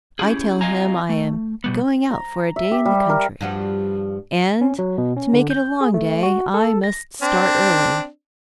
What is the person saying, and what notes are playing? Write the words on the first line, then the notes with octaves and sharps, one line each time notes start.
I tell him I am going out for a day in the country, and to make it a long day, I must start early.
C#4 E4 G4 G#4
C4 F4 D#5 F5 G#5 A#5
A3
B2 G3 B3
A#5
E5
G4
G3
A#4
G2 F3 F#4
C#4
F#3
B2
C#4
D3
G6
G#4
A3
F#4
A4
A#6
C4 D4